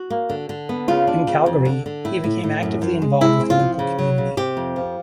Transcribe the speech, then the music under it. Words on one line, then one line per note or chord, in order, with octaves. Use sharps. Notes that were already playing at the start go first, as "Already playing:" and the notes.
In Calgary he became actively involved with the local community.
Already playing: F#4
A#3
D3
D3
B3
C#3 F4
D4
C#3
F2
D3
D3
A2 E4
A2
A2
F#2
F#2
G#3
G#3 E4
C4
F4
F3
C#3
F#3
C#3
C3 G4
F2
F3